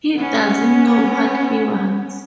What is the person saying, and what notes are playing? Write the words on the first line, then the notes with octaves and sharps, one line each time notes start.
He doesn't know what he wants.
B3 C#4